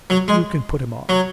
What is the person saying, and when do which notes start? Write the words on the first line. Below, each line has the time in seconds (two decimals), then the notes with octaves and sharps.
'You can put him off.
0.10 F#3
0.28 G#3
1.09 F#3